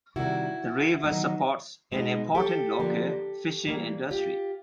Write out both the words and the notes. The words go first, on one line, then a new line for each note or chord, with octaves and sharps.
The river supports an important local fishing industry.
C3 D#3 G3 E4 F#4
D#3 F#3 B3 D#4
B2 G#3 B3 D#4
G4 A4
D3 F3 A#3 D4
E3 G3 A#3
F4 G4